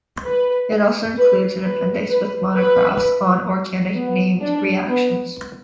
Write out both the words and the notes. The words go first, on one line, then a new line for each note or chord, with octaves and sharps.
It also includes an appendix with monographs on organic named reactions.
B4
B4
B4
B4
B4
B3
D4
B3